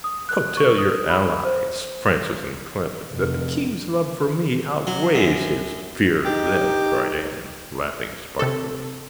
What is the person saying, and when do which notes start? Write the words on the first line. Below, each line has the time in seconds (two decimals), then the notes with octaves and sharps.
"Go, tell your allies, Francis and Clement, that the king's love for me outweighs his fear of them," cried Anne, laughing spitefully.
0.04 D#6
0.29 F#6
0.57 C#6
0.78 D#6
1.10 B5
1.45 C5
3.12 F1
4.87 F#3
5.15 F#2
6.25 D#4 G4
8.39 C3 A4